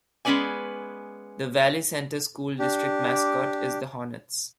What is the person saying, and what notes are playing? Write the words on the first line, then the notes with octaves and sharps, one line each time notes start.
The Valley Center school district mascot is the Hornets.
G#3 B3 C#4 B4 D5 G#5
D4 G4